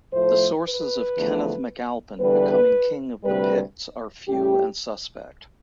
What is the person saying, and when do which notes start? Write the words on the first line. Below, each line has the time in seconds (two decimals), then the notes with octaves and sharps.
The sources of Kenneth MacAlpin becoming king of the Picts are few and suspect.
0.12 A2 F3 A3 C5
0.64 B4
1.16 E2 D3 F3 A3
2.20 E2 D3 G3 B4
3.24 D2 C3 G3 B4
4.28 A2 G3 G4